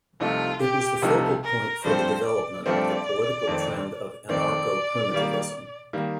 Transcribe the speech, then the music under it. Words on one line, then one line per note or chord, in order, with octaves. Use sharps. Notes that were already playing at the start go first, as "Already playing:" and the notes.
It was the focal point for the development of the political trend of anarcho-primitivism.
C2 C3 F3 A3 D#4 F4
G4
C2 C3 F3 A3 D#4
A#4
G2 F3 A3 C4 C5
D5
G2 F3 A3 C4 D5
F2 D#3 A3 C4
F2 D#3 A3 C4 D5
D#3 G3 A#3
D#3 G3 A#3